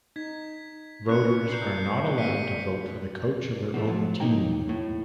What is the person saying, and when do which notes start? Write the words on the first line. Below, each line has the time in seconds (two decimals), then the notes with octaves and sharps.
Voters are not allowed to vote for the coach of their own team.
0.16 D#4 G#6 B6
1.09 C#4 B4 F#6 C#7
1.49 D4 A#4 G6 C7
2.18 G3 A#3 C4 B6 C#7 D#7
3.74 B2 E3 A3
3.87 F3 F#3
4.20 C#2 A#3 D#4 C#5 G5 A#5
4.69 A2